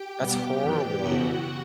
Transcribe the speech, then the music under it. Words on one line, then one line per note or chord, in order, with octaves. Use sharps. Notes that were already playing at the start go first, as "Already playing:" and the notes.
That's horrible.
Already playing: G4 G5
B2 G3 B3
F#2 E3 B3 D4
F#2 C#3 E3 B3 F#4 F#5